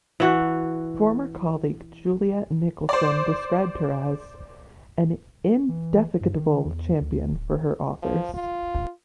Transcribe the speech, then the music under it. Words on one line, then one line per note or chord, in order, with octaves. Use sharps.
Former colleague Juliet Nicolson described her as "an indefatigable champion for her authors".
E3 F#4
C5 D5
E3
G2
D#3
E2
D2
D1
F3
F4